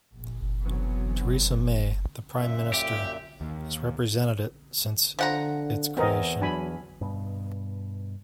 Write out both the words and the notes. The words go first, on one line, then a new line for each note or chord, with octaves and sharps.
Theresa May, the Prime Minister, has represented it since its creation.
A#1
B2 D3 E3 F#3 B3 C4
F#2 A#2 E5
G4
D#2
D3 F3 F#5 A#5
E2 C4 A#4 D#5
F#3 D4 G#5 B5
G2 B2